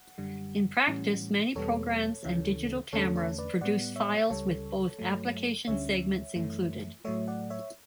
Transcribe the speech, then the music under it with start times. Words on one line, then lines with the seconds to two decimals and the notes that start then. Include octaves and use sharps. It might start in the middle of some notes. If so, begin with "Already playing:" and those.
In practice, many programs and digital cameras produce files with both application segments included.
Already playing: F#5
0.18 F#2 D3 G3
0.87 A2 E3 G3 C#4
1.55 E2 B2 G3 B3 A4 C#5
2.24 D2 C#3 E3
2.93 E2 D3 A3 C#4 A4 C#5
3.16 A4 C#5
3.38 B4 D5
3.61 A2 G3 B3 D5 F#5
3.96 C#5 E5
4.30 C#2 C#3 G3 A4 C#5
4.99 G2 F#3 A3
5.67 D2 D3 G3 C#4 C#5 E5
6.36 F#2 E3 A3
7.05 A2 F#3 A3 C#5 E5
7.28 D5 F#5
7.50 C#5 E5